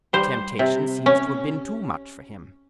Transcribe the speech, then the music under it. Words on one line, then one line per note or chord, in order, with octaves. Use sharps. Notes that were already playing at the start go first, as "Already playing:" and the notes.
The temptation seems to have been too much for him.
G3 C5
C3
C#4